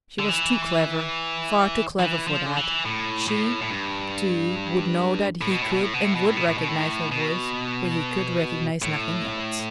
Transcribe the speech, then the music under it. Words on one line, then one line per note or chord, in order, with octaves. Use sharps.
She was too clever, far too clever for that--she, too, would know that he could and would recognise her voice where he could recognise nothing else.
D3
E3
E3
F3
D3
E3
A2
A2
A2
G2
A2
B2
A2
B2
A2
B2
A2
B2
A2
B2
A2
B2
A2
B2
A2